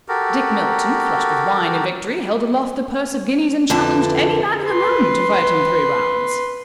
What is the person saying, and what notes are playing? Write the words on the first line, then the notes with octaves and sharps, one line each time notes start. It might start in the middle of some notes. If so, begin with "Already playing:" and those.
Dick Milton, flushed with wine and victory, held aloft the purse of guineas, and challenged any man in the room to fight him three rounds.
F#4 G4 A4 A#4
F2 D3 E3 A4 A5
B4 C6